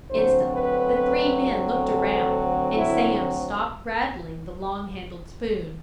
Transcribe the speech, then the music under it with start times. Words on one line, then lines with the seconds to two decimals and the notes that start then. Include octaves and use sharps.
Instantly the three men looked around, and Sam stopped rattling the long-handled spoon.
0.10 D2 D3 F#3 C4 C5
0.54 B4
1.88 A4
2.76 E4